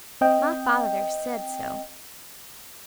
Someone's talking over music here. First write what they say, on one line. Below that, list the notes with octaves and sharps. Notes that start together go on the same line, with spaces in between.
My father said so.
C4 D#5 G5